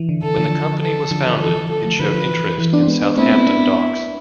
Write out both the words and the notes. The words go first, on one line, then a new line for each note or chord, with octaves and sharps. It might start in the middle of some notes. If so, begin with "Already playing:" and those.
When the company was founded it showed interest in Southampton Docks.
Already playing: E3
D3
E3 A4
D3 F3
A4
D3 F3
D3 F3
E3 A4
E3
D3 F3 A4
F3 A3
D3 F3 B4
D3 F3
E3
E3
B3 D4
C4
G#3 B3
B3 D4
A3 C4 E4
G#3 B3
B3 D4